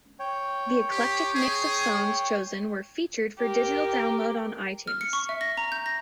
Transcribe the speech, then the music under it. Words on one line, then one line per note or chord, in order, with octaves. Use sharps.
The eclectic mix of songs chosen were featured for digital download on iTunes.
C#5 G5
G4
G#4
G4 A#4
F6
C#7
C#6
E5
A#6
A#5
G6
A#6